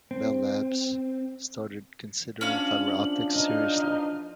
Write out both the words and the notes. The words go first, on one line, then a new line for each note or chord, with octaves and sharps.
Bell Labs started considering fiber optics seriously.
C4
E2 F3 C#4 D4 F5 F#7
D#4 F6